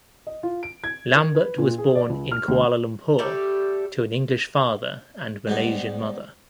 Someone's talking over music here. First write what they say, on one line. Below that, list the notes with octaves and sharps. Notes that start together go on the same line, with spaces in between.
Lambert was born in Kuala Lumpur to an English father and Malaysian mother.
D#5
F4
D7
G#6
A#4
B4
A#2
G#4
D5
C#2
F6
D2
G3 A3 G4
G#2 G3 B3